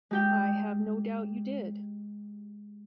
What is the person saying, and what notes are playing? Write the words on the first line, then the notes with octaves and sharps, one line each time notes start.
I have no doubt you did.
G#3 G4 G5